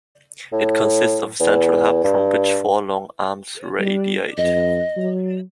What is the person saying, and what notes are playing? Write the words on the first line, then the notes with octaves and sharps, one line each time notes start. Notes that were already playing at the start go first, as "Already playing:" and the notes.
It consists of a central hub, from which four long arms radiate.
A2
E2
G2
G3
F2 D#5
F#3